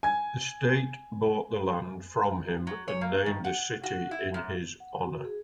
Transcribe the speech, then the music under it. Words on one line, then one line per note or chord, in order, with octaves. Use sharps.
The state bought the land from him and named the city in his honor.
G#5 G#6
F#3
C#5
A#3
D#3
F#5
F#4
E4
F#2
F#5
F#4
G#4